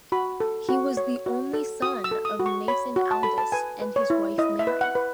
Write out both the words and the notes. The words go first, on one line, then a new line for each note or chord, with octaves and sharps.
He was the only son of Nathan Aldis and his wife Mary.
F#4 B5
A4
F#4
C#5
F#4
A4
F#4 D#6
E6
A4
D#6
F#4
C#6
C#5 B5
F#4
A5
A4 B5
A5
B4 G#5
B4
C#5
E4
E4 D#5
E5
B4
F#5
B4